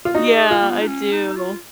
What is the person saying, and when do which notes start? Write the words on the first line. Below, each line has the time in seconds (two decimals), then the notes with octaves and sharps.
Yeah, I do.
0.05 F4
0.14 D#4 F#4
0.33 G#4
0.51 F4
0.63 A#3
0.69 B3
0.81 D#4
0.87 C#4
1.12 D#4
1.36 F4